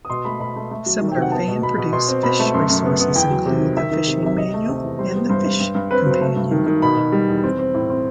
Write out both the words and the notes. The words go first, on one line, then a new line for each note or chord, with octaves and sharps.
Similar fan-produced Phish resources include "The Phishing Manual" and "The Phish Companion".
D#6
B2 C6
A3 B5
B2 B5
A3
A3
F#3
D#3
G5
C3
F#5
B3 A5
B2
B2 B5
B2
B2 C6
C4
B2 B5
A3
F#2 C6
F#2
B3
B3
E2 G5
F#3
C3
D#3
D#3 E5
D#3
C3
C3 E5
C3 D#5
A3
C3
E2
G3 C5
B3
G2 C5
G2
G2
G2
C4 B4
B4
F#3
C5
A3
G2
D#3
D#3
B2 B5
B2
G3
E2
C4
C4
A2
C4